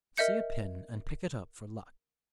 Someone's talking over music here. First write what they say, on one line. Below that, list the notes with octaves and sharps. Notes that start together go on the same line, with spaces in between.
See a pin and pick it up for luck.
A#4 D#5 E5 G6 C#7